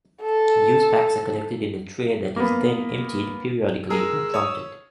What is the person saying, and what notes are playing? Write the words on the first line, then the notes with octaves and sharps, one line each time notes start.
Used packs are collected in a tray that is then emptied periodically when prompted.
A4
A#3 B3
G#3 G#4 A#4 E6
C#5 D#6